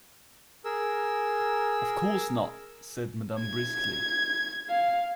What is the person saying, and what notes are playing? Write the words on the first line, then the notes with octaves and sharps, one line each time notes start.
"Of course not," said madame briskly.
G#4 A#4 E6
G#6
F5